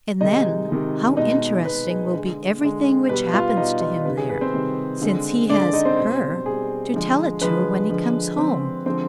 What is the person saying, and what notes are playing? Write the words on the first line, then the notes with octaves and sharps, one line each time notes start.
And then how interesting will be everything which happens to him there, since he has Her to tell it to when he comes home.
C3 D#3 G#3 D#4 D#5
C3 D#3 G#3
B2 G#3 D#4 D#5
B2 G#3 B4
G#4
D3 G#3
D3 G#3
B2 G3 B4
F4 F5
B2 G3 D#4 D#5
F4 F5
C3 D#3 G3 B4
G#4
B4
C4 C5
C3 D#3 G3
D3 G#3
D3 G#3 D4 D5
D4 D5
D#4 D#5
C4 C5
B2 G3
B2 G3 G#4
D3 F3 G#3
D3 F3 G#3 B4
D3 F3 G#3
D3 F3 G#3 C4 C5
D3 F3 G#3 C4 C5